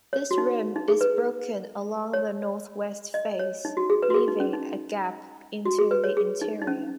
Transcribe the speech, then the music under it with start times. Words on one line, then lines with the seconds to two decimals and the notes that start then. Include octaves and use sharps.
This rim is broken along the northwest face, leaving a gap into the interior.
0.13 C#5
0.31 F#4
0.38 D#4
0.76 D#4
0.88 G#4
1.01 B4
2.14 C#5
3.14 D#5
3.39 C#5
3.65 D#4
3.77 F#4
3.90 G#4
4.03 B4
4.10 F#4
4.15 G#4
4.28 D#4
4.40 C#4
4.53 D#4
5.65 F#4
5.79 G#4
5.91 B4
6.04 C#5
6.17 G#4
6.41 D#4
6.62 D#4
6.67 C#4